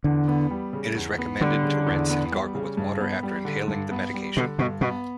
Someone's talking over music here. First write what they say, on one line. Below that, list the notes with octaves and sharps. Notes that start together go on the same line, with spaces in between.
It is recommended to rinse and gargle with water after inhaling the medication.
E2 D3
B3
G3
C#3
E2
B3
D3 G3
C#3
E2
B3
G3
C#3
G2
B3
G3
D3
G2
B3
G3
B2 D3
G2 B2
B2 B3